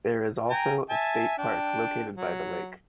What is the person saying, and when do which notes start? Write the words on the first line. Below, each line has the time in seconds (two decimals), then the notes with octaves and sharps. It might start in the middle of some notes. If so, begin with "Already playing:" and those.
There is also a state park located by the lake.
0.50 G5 G#5 A#5
0.90 E5 G#5 A5
1.38 D4 G5
2.16 F#3